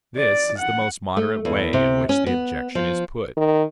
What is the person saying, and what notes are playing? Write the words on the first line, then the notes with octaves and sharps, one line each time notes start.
This is the most moderate way in which the objection is put.
D5
F#5
A3
E2
C3
C#4
B3
F3
D#3